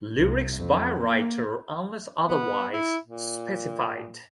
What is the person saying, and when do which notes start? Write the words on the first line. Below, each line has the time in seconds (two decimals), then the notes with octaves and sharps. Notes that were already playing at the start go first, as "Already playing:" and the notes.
Lyrics by writer unless otherwise specified.
0.17 C2
0.57 F2
1.01 A#3
2.28 B3
2.73 E4
3.06 A#2